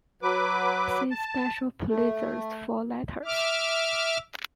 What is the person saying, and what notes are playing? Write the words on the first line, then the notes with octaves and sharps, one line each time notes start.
See Special Pulitzers for Letters.
F#3 B4 D6
A5
A3
E5 D6 F6